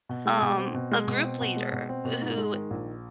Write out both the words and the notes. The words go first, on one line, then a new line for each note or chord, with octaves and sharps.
um, a group leader, who
B2
G#3
B2
C4
B2
G#3
B2
C4
B2
G#3
B2
C4
B2
G#2
G#3
D#3
A#1